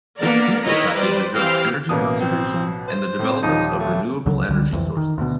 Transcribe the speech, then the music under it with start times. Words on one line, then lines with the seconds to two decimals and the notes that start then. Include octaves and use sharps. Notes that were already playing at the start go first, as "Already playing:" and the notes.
This sequel package addressed energy conservation and development of renewable energy sources.
0.19 A#3 B3 D4 A#4 D5 F5
0.63 D#3 E4 B4 C#5 D#5 A#5
0.93 G3 B4 C5 D5
1.34 E3 C4 G4 C5 F5 G5
1.89 A1 B2 A#3 D#6
2.20 C4
2.88 C5
3.19 A2 C4
3.43 D#1 F3 D#4
3.79 A3
4.26 C#2 C#3 F#3
4.49 C#2 D3 G3
4.72 G1 C2 F2 E3
4.97 D#3
5.18 D2 B2